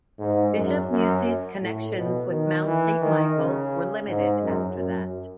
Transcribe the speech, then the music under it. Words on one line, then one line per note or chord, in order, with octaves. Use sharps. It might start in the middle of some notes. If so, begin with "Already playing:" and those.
Bishop Musey's connections with Mount Saint Michael were limited after that.
G#2
F#2
F#2
A2
B2
D#3
E3
D#3
C#3
G#2
F#2
F#2